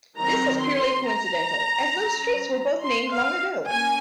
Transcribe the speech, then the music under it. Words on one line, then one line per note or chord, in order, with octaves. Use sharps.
This is purely coincidental, as those streets were both named long ago.
D#3 F#3 C4 A#5
C6
A#5
F#3 C#4
C6
F5
A#3 C#4 G#5